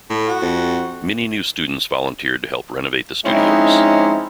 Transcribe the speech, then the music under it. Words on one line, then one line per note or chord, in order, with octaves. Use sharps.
Many new students volunteered to help renovate the studios.
A2
F#4
F2
F3 G#3 C4 C#4 D#4 E4